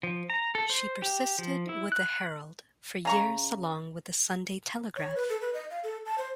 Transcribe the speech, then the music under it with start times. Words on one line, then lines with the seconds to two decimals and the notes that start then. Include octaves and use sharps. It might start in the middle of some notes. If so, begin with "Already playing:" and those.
She persisted with the "Herald" for years along with the "Sunday Telegraph".
0.03 F3
0.30 A#5
0.55 A4
0.70 C5
1.02 G4
1.39 F3
1.69 E4
1.92 F#6
3.05 C#3 A#5 C#6
4.96 C#5
5.15 B4
5.30 A4
5.41 B4
5.54 D#5
5.70 F5
5.84 A4
6.06 A5
6.18 C5